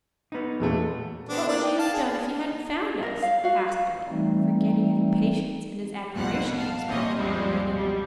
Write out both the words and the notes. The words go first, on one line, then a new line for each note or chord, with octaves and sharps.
"What would you have done if you hadn't found us?" asked Billy, forgetting his impatience in his admiration for this plucky young lady.
B3 D#4
E2 A#2 F#3 G#3 A3
B3 C4 D4
A#3 D4 D5
G5
F5 A5
G#4
A#4
F5
F#4 F5
E3 G3 A3 C4 D#4
A1 F2 B2 F#5 F#6
F5 A5
A#2 E3 C4 C#4 D#5
C#2 F#2 F3 G3 G#3 C4
B2 G3